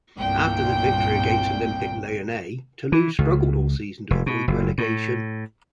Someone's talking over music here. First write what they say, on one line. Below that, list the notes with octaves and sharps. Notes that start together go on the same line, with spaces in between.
After the victory against Olympique Lyonnais Toulouse struggled all season to avoid relegation.
G1 C2 A#2 G5
E3
C#2
F1
B2
F#1
A2